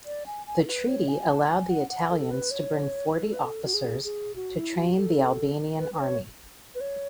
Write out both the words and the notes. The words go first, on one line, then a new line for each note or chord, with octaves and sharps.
The Treaty allowed the Italians to bring forty officers to train the Albanian army.
D5
G#5
G#5
A4
B4
C#5
G#5
A5
G#5
F#5
F#5
A4
B4
C#5
B4
A4
B4
A4
F#4
G#4
G#4
F#4
E4
F#4
A4
B4
B4
C#5
B4
C#5